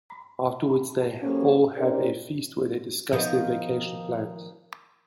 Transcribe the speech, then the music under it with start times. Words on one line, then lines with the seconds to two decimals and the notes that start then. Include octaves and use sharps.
Afterwards, they all have a feast where they discuss their vacation plans.
1.23 F#3 A#3 C#4 G4 A4 C5
1.77 C#4 D#4 G4 A#4 C5 D5
3.13 D#3 F3 B3